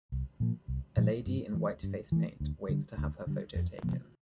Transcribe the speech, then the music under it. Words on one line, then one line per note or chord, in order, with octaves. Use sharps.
A lady in white face paint waits to have her photo taken.
C2
A#2 F3 A#3
C2
A#2 F3 A#3
G2
E3 A3
G2
E3 A3
D2
D3 G3
D2
D3 G3
F2
C3 F3 A#3